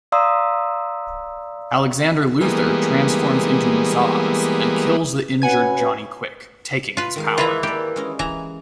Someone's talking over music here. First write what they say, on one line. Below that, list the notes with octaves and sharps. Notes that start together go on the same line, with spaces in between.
Alexander Luthor transforms into Mazahs and kills the injured Johnny Quick, taking his power.
D5 F5 A#5 C6 D#6 E6
E3 G3 G#3 A#3 B3
C#4 F#4 B4 F#5 G#5 G#6
F4 B4
D#3 G#3 F5
E3 F4 B4 A#5
A#3 G4 D5
G#3 C#4 D#5
E3 A#5